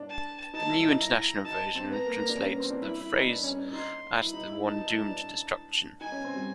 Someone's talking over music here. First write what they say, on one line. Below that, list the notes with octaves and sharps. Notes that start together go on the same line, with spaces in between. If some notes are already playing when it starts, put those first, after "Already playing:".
The New International Version translates the phrase as the one doomed to destruction.
Already playing: D4
A5
D#4 A5
E4
E4
D#4
E4 A#5
D#4 A5
C4
B3 A#5
A#3
A#3
D4
C#4
B3
C4
D4
E4 B5
E4
D#4
D4
C#4
D4
D#4 C6
E4 B5
D#4
E4
D#4 A5
D#4
E4
D#4
D4
D#4 G#5
C#4
C4
G3